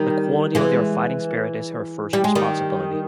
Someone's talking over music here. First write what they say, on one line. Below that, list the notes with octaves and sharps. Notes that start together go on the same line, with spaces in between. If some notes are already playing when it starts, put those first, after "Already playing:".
The quality of their fighting spirit is her first responsibility.
Already playing: D#3 G3
E3 G#3
G3
G#3
D#3 G3